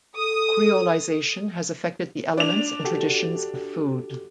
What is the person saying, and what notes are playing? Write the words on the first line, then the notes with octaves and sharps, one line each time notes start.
Creolization has affected the elements and traditions of food.
A4 D#6
D4 F7
F#4 G4 A4